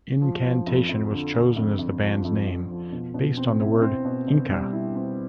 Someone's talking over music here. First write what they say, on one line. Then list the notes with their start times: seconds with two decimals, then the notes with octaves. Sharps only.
Incantation was chosen as the band's name, based on the word "Inca".
0.21 F3
0.44 F3
0.67 F2
0.89 F2
1.11 D3
1.34 D3
1.56 F2
1.79 F2
2.02 F3
2.25 F2
2.47 F2
2.69 F3
2.92 B2
3.14 B2
3.37 C4
3.60 E4
3.82 C4
4.05 B2
4.27 B2
4.50 G3
4.73 E4
4.95 C4